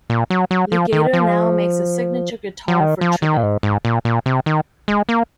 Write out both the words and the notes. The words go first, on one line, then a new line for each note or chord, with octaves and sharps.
Legator now makes a signature guitar for Tribbett.
A#2
F#3
F#3
F3
D#3
F3
F3
D#3
F3
D#3
A#2
G#2
G#2
A#2
A#2
C3
D#3
G#3
A#3